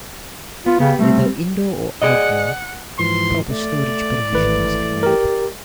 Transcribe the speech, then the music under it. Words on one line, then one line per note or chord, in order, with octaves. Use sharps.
Whether indoor or outdoor, proper storage provision must be made.
B3 F4
C#3 B3 G4
G3 A3 C4
G#4 D5 D#5 F#5
G#2 E3 F3 C6
A3 D5
G#1 E3 A3 B4
G4 A#4